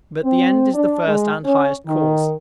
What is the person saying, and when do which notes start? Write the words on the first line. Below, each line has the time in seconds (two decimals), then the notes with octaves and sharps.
But the end is the first and highest cause.
0.24 C4
0.74 D4
1.07 G#3
1.45 C#4
1.87 D#3